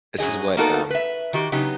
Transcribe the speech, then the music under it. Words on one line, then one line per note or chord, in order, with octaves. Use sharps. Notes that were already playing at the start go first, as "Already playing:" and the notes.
this is what, um,
F#2 F#3 G#4 D#5
A#3 B3 D#4 F#4 A4 A#4
B4 E5
D#3 F#4 G4
C#3 F#3 B3 D#4 G4